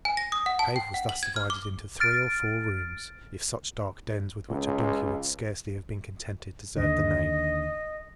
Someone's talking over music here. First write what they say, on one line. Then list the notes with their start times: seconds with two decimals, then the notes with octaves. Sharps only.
The cave was thus divided into three or four rooms, if such dark dens with which a donkey would scarcely have been contented deserved the name.
0.05 G#5
0.17 A#6
0.32 D#6
0.46 F#5
0.59 A5
0.76 G5
0.94 F#5
1.09 F#7
1.23 G#6
1.36 F6
1.50 D6
2.00 F6 A6 D7
4.49 C#2
6.76 D#2 D3 D#5